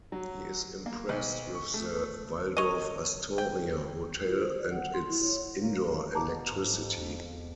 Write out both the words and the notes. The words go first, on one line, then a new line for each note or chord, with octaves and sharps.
He is impressed with the Waldorf-Astoria hotel and its indoor electricity.
F#3
A#3
B1
C#6
A3
C#5 D#5
G5
F4
C5
D5
F#5
C6
E4
C#5
A#3
B2 A5 A#5 D6
F2 G#2
E2